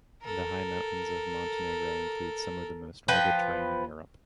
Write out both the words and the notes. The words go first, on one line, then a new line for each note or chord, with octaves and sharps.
The high mountains of Montenegro include some of the most rugged terrain in Europe.
A4 A#4
F3 B4 G5